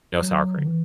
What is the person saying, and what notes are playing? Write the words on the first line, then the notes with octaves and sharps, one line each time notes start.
No sour cream.
F#3
D3
E3